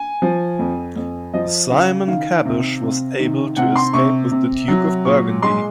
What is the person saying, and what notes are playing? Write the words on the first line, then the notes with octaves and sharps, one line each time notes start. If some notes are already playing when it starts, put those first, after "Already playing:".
Simon Caboche was able to escape with the Duke of Burgundy.
Already playing: G#5
F3
F2
F2
F3 D#5
C#3 F5
D#3 F5
C3
C3
D#3
C3 F#5
C6
C3 C#6
C3
F#3
A#2 C#6
G#3 C6